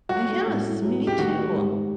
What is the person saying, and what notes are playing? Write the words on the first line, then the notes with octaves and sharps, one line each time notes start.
Ah, yes, me too.
F#3 F#4
A3
A2
A2
F#3
A3
G4
D#3 F#4
G3
G#2